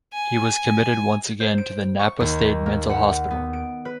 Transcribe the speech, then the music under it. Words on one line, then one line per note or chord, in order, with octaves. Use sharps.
He was committed once again to the Napa State Mental Hospital.
G#5
C5
D7
C#6
D#2
A#3
F#5
B3
D7
B4